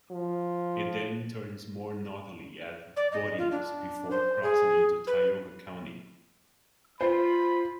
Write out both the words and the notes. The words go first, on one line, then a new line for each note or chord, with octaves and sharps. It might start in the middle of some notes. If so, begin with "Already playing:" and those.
It then turns more northerly at Bodines before crossing into Tioga County.
F3
D5
D#5
F4
D4
C5
G#4
B4
F4 C5 B5